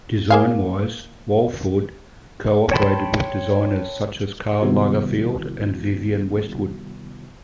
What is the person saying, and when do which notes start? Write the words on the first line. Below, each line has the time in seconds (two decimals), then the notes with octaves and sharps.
Design-wise, Wolford co-operated with designers such as Karl Lagerfeld and Vivienne Westwood.
0.30 A#3 G#4 F5
2.72 C#5 G5 A5 B5 C6
4.62 C3 D#3 G3 B3 E4 F#4